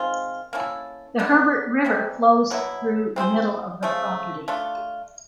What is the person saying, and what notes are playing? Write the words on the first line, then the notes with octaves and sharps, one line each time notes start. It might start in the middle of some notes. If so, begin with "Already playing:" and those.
The Herbert River flows through the middle of the property.
Already playing: D#3 G#3 C4 F4
A#3 C#4 E4 A4
D3 G3 B3 D4
C3 E3 G3
B2 F#3 B3 E4
C4 E4 G#4 C5
C#3 F3 A3
A3 D4 F4